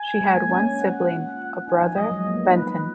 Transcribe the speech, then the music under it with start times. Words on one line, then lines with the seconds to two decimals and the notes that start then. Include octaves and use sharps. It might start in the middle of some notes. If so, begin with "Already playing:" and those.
She had one sibling, a brother, Benton.
Already playing: G#5
0.21 G#3
0.35 A#3
0.49 C#4
0.79 F#5
1.08 F4
1.67 D#4 G#5
1.82 F3
1.96 F#3 D#5
2.12 G#3
2.26 A#3
2.36 B3
2.45 D#4
2.55 F4 B4